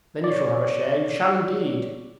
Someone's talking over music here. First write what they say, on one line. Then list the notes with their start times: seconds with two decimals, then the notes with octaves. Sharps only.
Then you shall have a share, you shall indeed!'
0.24 C#5 D5